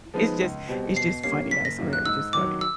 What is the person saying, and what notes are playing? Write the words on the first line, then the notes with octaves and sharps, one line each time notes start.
It's just it's just funny, I swear. It's just funny.
F3 G#3 B3 D#4
C#2
B2 G3 C4
B2 C7
G3 A#3 C#4 C7
F#1 B6
A#6
F#2 D#3 F#3 A#3
F#6
G#2 E6
D#3 F#3 D6
E6